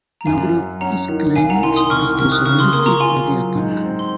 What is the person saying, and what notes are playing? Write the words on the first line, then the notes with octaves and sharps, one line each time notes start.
No group has claimed responsibility for the attack.
A#5
F#2 F5 G#5
F#3
C#4 F#5 A#5
D#3
C2 F5 G#5
F#5 A#5
D#3 G#5 C6
C6 D#6
C2 C#6 F6
C3 C#6 F6
D#6 F#6
C#3 C#6 F6
C6 D#6
A#3 C6 D#6
A#5 C#6
F4 G#5 C6
F#3
G#2
C4
C6